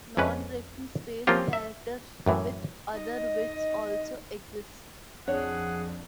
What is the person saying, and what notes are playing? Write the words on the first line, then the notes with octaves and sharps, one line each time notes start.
Non-breaking space characters with other widths also exist.
F2 G#3 C#4 B4
F3 A#3 C4 C#4 F4 G4
E5
F#2 A2 E3
D#4 D#5
F2 D4 G#4 C#5 F#5